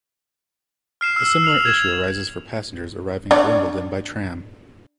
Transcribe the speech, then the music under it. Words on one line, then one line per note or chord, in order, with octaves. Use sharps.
A similar issue arises for passengers arriving at Wimbledon by tram.
F6 C7 E7
E6
C7 F7 F#7
G#6 E7 F7
D4 C#5 D5